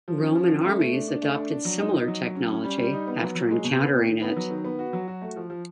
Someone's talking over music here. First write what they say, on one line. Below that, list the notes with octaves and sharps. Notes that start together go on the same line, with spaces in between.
Roman armies adopted similar technology after encountering it.
F3
C#4
F3
C#4
A3
A3
D4
D4
A3
D4
D4
F#3
D#4
D#4
F#3
F#3
C#4
C#4
G3
G3
D#4
B3
F#3
F#3
G#3
B2
B3
B2
D#3
B3
F#3
D#3
B3
F#4
F#3
F#4
A3
F3
F3